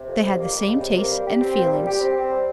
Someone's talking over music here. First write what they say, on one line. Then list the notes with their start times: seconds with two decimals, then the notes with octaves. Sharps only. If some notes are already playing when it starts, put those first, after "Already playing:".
They had the same tastes and feelings.
Already playing: C3
0.08 F2
0.22 G3
0.37 A#3
0.52 G3
0.68 C#2
0.81 C3
0.97 A#3
1.12 G3
1.27 G4
1.41 C4
1.57 A#2
1.71 G3
1.86 G4
2.00 C4
2.16 C4
2.31 G3